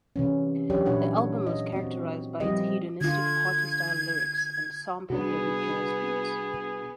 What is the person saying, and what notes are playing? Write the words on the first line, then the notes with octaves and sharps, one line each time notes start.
The album was characterized by its hedonistic party-style lyrics and sample-heavy jazz beats.
C3 E3 C#4
E3 F#3 D4 G4 C#5 D5
A#2 D4 E4 G4 C#5 F#5
D#5
C4 F#4
F3 G3 C4 E4 G4 D#5
D3 F4 G#6
C3 G3 B3 D4 F#4 G#4